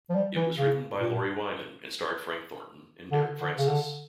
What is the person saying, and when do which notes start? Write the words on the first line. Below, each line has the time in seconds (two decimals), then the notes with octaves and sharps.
It was written by Lawrie Wyman and starred Frank Thornton and Derek Francis.
0.10 F3
0.15 G3
0.36 E3
0.58 C#3
1.00 A#2
3.12 D3
3.40 D3
3.58 C#3
3.68 D3